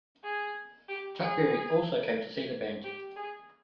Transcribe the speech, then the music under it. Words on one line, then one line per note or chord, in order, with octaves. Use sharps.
Chuck Berry also came to see the band.
G#4
G4
G#4
G4
G#4